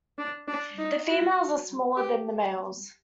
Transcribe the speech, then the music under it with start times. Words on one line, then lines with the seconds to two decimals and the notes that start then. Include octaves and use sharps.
The females are smaller than the males.
0.18 D4
0.48 D4
0.78 D#4
1.08 F#4
1.97 G4